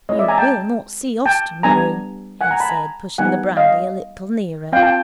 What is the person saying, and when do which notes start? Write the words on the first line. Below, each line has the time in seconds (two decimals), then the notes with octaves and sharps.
'You will not see us tomorrow,' he said, pushing the brandy a little nearer.
0.09 G#3 C4 E4 C#5 D#5
0.19 D5 E5
0.28 G#5 A#5
0.38 G5 A5
1.25 G5 A5
1.63 G3 B3 D4 G#5 A#5
2.41 F#5 G#5
2.51 G#5 A#5
2.60 A5 B5
2.70 G#5 A#5
3.18 G3 B3 D#4 F#5 G#5
3.57 D#5 F5
4.73 C4 F5 G5
4.76 F4
4.83 G5 A5